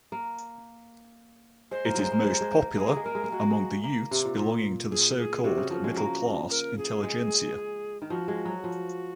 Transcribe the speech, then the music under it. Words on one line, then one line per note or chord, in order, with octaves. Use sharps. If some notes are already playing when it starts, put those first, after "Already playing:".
It is most popular among the youths belonging to the so-called "middle-class intelligentsia".
A#3
G#3 C5
A#3
F#3 G#3
A#3
G#3
A#3
G#3
A#3
G#3 G#4
A#3
G#3
A#3 A#4
G#3
A#3
G#3 F#4
A#3
G#3
A#3
C3
A#2
A#2
G#4
G#4
C3 F#4
C#3
F3
G#3
A#3
A#4
G#4
G#3
D#3
F3 F#4
G#3
F#3
F3